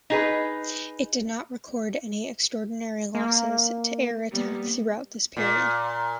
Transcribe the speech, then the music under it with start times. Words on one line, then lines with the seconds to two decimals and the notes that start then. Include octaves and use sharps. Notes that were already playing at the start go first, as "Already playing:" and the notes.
It did not record any extraordinary losses to air attack throughout this period.
0.10 D#4 G#4 B4
3.15 A#3
4.31 G3 A#3 B3
5.37 A#2